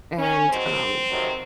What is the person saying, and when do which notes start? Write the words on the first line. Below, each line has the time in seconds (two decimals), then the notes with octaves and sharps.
and, um,
0.19 C#4
0.49 G#2 D#3 F#3 C4
1.09 F2 C3 D#3 F#3